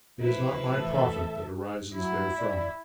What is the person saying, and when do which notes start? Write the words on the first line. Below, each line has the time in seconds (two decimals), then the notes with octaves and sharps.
It is not my profit that arises therefrom.'
0.21 F3 E4 B4
0.72 A2 E3 A4 E5
1.96 F#3 E4
2.38 D5